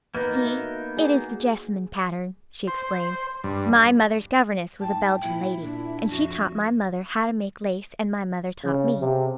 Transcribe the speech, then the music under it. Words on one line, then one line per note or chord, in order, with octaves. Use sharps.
"See, it is the jessamine pattern," she explained. "My mother's governess was a Belgian lady, and she taught my mother how to make lace and my mother taught me."
D#2 A#3 B3 D#4 B4 D#5
F#4 E5
F#4 G#4
C5
G2
G#2 G5 A5
A#2 E4 E5
A#2 D4
F2 F#4
C#3
C3